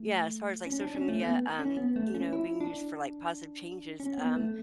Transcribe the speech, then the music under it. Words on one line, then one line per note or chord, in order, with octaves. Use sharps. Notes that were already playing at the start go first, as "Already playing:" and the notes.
Yeah, as far as, like, social media, um, you know, being used for, like, positive changes, um,
Already playing: A3
C#4
D4
C#4
A3
B3
C#4
B3
A3
C#4
E4
D4
C#4
B3
A3